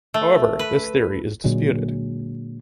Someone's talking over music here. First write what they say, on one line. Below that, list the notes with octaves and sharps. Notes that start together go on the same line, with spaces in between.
However this theory is disputed.
A3
B4
A#2 D3 F#3 G#3